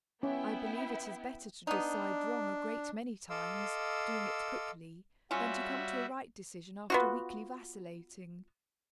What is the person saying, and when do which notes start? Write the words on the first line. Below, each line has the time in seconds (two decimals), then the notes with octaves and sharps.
I believe it is better to decide wrong a great many times--doing it quickly--than to come to a right decision after weakly vacillating.
0.23 B3 C#4 E4 G5
1.67 B3 D4 D#4
3.30 A4 D#5 F5 C6 D6 E6
5.31 G3 C#4 F4 F#4 E5
6.90 B3 F4 F#4